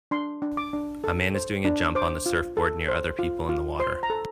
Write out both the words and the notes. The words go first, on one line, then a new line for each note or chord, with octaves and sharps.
A man is doing a jump on the surfboard near other people in the water.
D4 C6
D4
D6
D4
A4
C5
D4
C5 D6
F4
A4
C5
F4
F4
C5 C6
A#5
A4